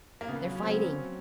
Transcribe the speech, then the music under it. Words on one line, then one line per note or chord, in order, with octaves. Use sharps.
"They're fighting!"
A#3
C#3 B3
F#3
C#4
A#3 C4
C#4
F#3